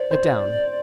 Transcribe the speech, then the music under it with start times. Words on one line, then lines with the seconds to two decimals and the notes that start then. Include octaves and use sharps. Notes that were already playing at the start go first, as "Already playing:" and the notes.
"Get down."
Already playing: C5 D5
0.11 C5